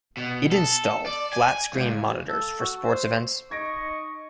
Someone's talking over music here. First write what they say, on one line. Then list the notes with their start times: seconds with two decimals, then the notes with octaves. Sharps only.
It installed flat screen monitors for sports events.
0.17 B2
0.52 A4
1.06 D5
1.33 G#5
1.73 C#2
2.29 A4
2.59 F#4
2.84 C5
3.51 D#4 D#5 C#6 G#6 A#6 D7